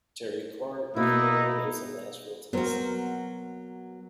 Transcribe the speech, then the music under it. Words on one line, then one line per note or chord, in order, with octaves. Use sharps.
Terri Clark currently lives in Nashville, Tennessee.
B2 A#3 D#4 E4 F#4
F#3 B3 F#4 A#4 C5